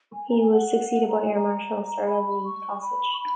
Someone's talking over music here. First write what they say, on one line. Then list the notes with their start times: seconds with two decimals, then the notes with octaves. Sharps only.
He was succeeded by Air Marshal Sir Leslie Gossage.
0.14 G#5
0.30 A#5
0.40 G#5
0.52 F#5
0.91 F#5
1.09 A#5
1.23 G#5
1.35 A#5
2.06 B5
2.44 C#6
2.82 B5
3.13 C#6
3.20 B5